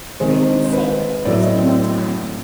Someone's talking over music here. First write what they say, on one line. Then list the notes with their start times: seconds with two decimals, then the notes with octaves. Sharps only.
For heaven's sake, waste no more time.
0.20 C3 D#3 G#3 C5
0.65 C5
0.73 B4
1.25 A2 F#3 A3 D5
1.43 D#5